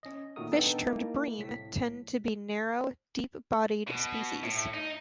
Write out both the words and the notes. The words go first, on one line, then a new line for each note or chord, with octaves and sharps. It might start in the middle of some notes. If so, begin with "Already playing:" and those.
Fish termed "bream" tend to be narrow, deep-bodied species.
C#4 D#5
A#2 D#3 A3 F#4 A#4 D#6
B3 D4 D#4 A4 G5 A5
A#3 D#4 E4
C2 A2 B6
B2
A2
D#4